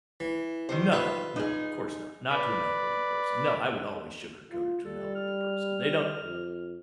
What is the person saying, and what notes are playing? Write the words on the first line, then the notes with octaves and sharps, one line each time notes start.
No, no, of course not, not to an elderly person, no, I would always sugarcoat it to an elderly person. They don't
E3
D#3 G3 C5
F4 B4
D#4 G#4
B4 D5
F4
G3 A4
F6
F2